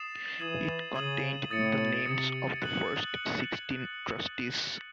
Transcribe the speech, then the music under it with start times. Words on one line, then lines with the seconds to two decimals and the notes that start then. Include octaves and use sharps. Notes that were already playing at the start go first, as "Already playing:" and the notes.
It contained the names of the first sixteen trustees.
Already playing: D#6 A6 C7 E7
0.40 E3 D#6 G#6 D#7 F#7
0.95 C#3 D#6 G#6 D#7 F#7
1.50 A2 D#6 A6 C#7
2.06 C3 D#6 A6 C#7
2.62 F#6 C#7 F#7